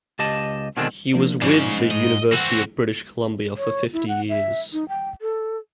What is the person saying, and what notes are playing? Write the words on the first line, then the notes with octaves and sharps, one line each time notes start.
He was with the University of British Columbia for fifty years.
C#2 G4 D#5 A5
B2 D3 D#3 G#3 C4 D4
F3 A#3 D4
G#2 C#3 F3 D#4 D5
A2 D#5
E3 C4 F#4 F#5 E6 G6
C#5
E4
F#5
E5
D#4
G5
A4